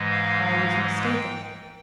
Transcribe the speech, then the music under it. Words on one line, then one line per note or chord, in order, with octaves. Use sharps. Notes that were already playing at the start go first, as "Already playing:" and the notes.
I was mistaken.
Already playing: G#2 E3 G#3
F5
G5